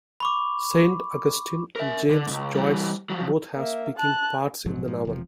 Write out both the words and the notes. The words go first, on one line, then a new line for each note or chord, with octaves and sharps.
Saint Augustine and James Joyce both have speaking parts in the novel.
B5 C#6 D6
A#4 E5
D3
C#2 G#2
E3 G3
F3 F#3
A#3 E5
A5 F#6
A#1 G#2 F3 F#3
G#2 F3
E1 C3 F3